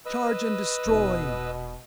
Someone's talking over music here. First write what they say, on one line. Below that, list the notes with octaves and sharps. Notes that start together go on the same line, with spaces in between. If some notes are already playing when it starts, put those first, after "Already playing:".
Charge and destroy!
B4 D#5 E6
E1 B2 D#4